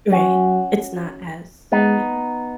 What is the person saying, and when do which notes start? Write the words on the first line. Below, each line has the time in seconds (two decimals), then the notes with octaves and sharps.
Right. It's not as, you know,
0.11 F#3 C#4 F#4
1.72 G#3 B3 D#4